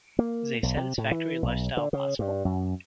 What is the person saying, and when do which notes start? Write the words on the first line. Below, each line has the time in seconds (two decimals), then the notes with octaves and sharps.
Is a satisfactory life-style possible?
0.19 A#3
0.63 B1
0.77 C3
0.98 A2
1.11 E3
1.43 B1
1.77 D3
1.93 C#3
2.19 G2
2.45 F#2